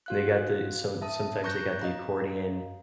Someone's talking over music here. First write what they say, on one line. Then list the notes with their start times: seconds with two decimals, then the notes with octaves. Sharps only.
They got the so, sometimes they got the accordion,
0.06 F#4 F5 F#6
1.02 E5 A5 D#6
1.44 A#5 C#6 F#6 G6 A#6
1.82 D#5 F5 A#5